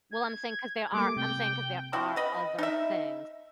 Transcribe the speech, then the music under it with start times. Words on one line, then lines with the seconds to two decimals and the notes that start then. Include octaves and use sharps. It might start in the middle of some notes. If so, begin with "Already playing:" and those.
Well, I'm saying 'cause there are I'm saying 'cause there are other things
0.12 G#6
0.93 G3 A3 A#3 D6
1.16 C3 G5
1.93 C4 E4 F#4
2.16 B4 D#5 B5
2.59 D#4 E5